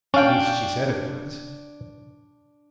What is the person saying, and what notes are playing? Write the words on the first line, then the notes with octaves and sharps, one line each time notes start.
At least she said it was.
C#4 D4 F5 G5